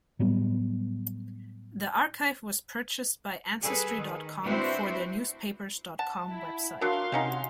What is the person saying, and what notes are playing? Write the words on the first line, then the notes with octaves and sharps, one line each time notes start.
The archive was purchased by Ancestry dot com for their newspapers dot com website.
A2 F#3 G3 B3
G3 G#4 A4 B4
D#3
C4 D4 E4 F#4 B4 C5
F#5 A5
E4
F#3 D4 F#4 A#4 F5 C6
C3 G3 C#4 D#4 F#5